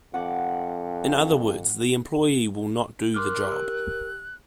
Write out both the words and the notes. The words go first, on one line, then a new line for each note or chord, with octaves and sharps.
In other words, the employee will not do the job.
F2 F#5 D6
A#4 C6 D6 F6 F#6
G4 E6